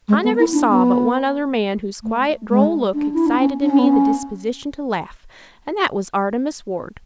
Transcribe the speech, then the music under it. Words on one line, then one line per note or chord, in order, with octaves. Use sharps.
I never saw but one other man whose quiet, droll look excited in me the disposition to laugh, and that was 'Artemus Ward.'
G#3
B3
E4
D4
B3
A3
G#3
D4
E4
D4
C#4
D4
C#4
B3
C#4